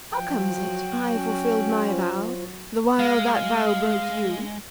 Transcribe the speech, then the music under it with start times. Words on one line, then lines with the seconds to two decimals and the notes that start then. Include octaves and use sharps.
'How comes it I fulfilled my vow the while that vow broke you?
0.12 F3 F#3 F#4 G5
1.15 C#4
1.90 F4 C5
3.00 G#3 F5